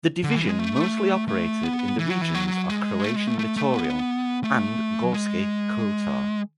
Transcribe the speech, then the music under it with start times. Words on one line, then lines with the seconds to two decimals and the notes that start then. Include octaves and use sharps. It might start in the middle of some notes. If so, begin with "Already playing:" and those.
The division mostly operated in the regions of Croatian Littoral and Gorski Kotar.
0.24 D3
0.36 E3
0.47 G#3
0.59 A3
1.28 A3
1.63 B3
1.99 E3
2.10 F#3
2.21 E3
2.34 F#3
2.69 G#3
3.04 A3
3.16 G#3
3.27 A3
3.39 A3
3.57 A3
3.74 B3
4.44 A3
5.03 F#3
5.14 G#3